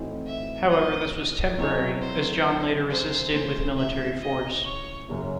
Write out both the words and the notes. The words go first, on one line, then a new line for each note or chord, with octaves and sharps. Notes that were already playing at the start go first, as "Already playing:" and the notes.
However, this was temporary, as John later resisted with military force.
Already playing: A2 E3 C4 D#4 F#4
E5
D#5
F#3 C4 E4 G#4 C#5 D#5
C5
C5
C#3 E3 A3 C5
E5
D#5
C#5
F#2 C#3 F#3 C#4